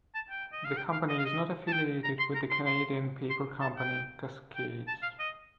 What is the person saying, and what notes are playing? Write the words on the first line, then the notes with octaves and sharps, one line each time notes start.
The company is not affiliated with the Canadian paper company Cascades.
A5
G5
D#5
F5
G5
F5
D#5
F5
D#5
A5
G5
A#5
C6
A#5
C6
C6
C6
A5
G5
G5
A5
F5
D#5